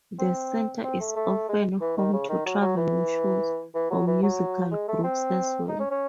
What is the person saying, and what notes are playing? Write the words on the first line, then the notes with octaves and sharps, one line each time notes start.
The Center is often home to traveling shows, or musical groups as well.
C4
C4
A3
A3
G#3
E3
D#3
C#3
D#3
F#3
F#3
E3
E3
F#3
E3
F#3
G#3
A3
C4
D#4
C#4
C#4